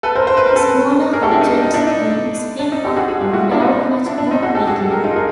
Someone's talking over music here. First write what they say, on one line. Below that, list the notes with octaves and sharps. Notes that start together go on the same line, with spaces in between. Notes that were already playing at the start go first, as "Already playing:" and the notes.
Smaller objects will spin up or down much more quickly.
A4 B4
A#4 C5
C5
B4
A#4
A4 B4
G#4 A#4
G4 A4
D4 E4
D#4
D4
D#4
D4 E4
D#4
D4
D#4
G4 A4
F#4 G#4
F#4 G#4
F4 G4
E4 F#4
D4 E4
D#4
D4 E4
D4
D#4
F#4 G#4
G4 A4
F#4 G#4
G4 A4
G#4 A#4
D#4 F4
G#4 A#4